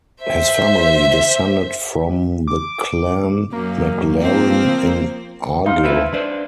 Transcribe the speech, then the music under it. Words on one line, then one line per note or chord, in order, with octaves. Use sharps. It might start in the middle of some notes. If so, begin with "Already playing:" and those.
His family descended from the Clan MacLaren in Argyll.
C5 E5
D6
F#2 A#3
F3 C4 C5
D#4 F5 C6 F6
C4 E4 B4
D4 B4 C5